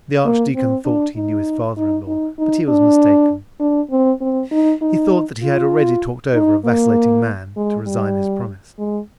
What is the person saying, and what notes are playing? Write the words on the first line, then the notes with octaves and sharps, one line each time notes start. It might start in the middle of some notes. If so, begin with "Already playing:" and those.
The archdeacon thought he knew his father-in-law, but he was mistaken; he thought that he had already talked over a vacillating man to resign his promise.
A#3
C4
D4
D#4
D#4
D#4
D#4
D4
D4
C4
C4
D#4
D#4
F4
D#4
A#3
G#3
G3
G#3